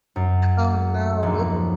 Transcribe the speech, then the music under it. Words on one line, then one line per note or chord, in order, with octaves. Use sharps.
Oh no.
F#2
A#1 D#2